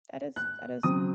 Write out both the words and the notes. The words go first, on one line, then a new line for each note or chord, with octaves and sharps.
That is that is
F#6
C#3 F#3 C4 D#6